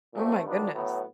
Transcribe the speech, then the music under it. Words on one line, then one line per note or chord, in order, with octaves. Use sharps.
Oh my goodness.
A#2 F#3 A3 C4
G2 D#3 F#3 B3 D4
A2 F#3 B3